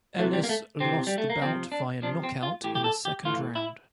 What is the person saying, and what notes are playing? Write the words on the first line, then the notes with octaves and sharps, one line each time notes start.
Ellis lost the bout via knockout in the second round.
E3 A3
C3
G3
A#3
A3
C3 E3 C4
G3
A3
A#3
C3 F3 C4
D4
C3 F3 D4
C4
F4
A2 E3 G4
G4
A4
G4
A2 E3 F4
E4